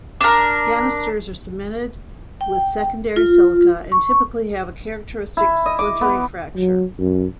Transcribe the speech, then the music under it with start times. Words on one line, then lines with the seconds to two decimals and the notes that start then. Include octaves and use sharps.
Ganisters are cemented with secondary silica and typically have a characteristic splintery fracture.
0.21 D4 A#4
2.41 G5
3.16 F4
3.92 C#6
5.37 E4
5.66 D#5
5.79 D6
6.01 B3
6.56 F#3
6.98 F#2